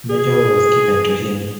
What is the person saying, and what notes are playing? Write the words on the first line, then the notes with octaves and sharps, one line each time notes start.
Major role was given to him.
G#4